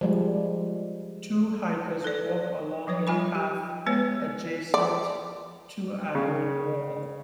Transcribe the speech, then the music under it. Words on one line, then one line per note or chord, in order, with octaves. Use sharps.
Two hikers walk along a path adjacent to an old wall.
F3 G3 G#3
A4 B4 D5
F3 F#3 B4 C#5
F#3 G3 F4 G#5 B5
G4
G#3 B3 B4 C#5
D5
C#3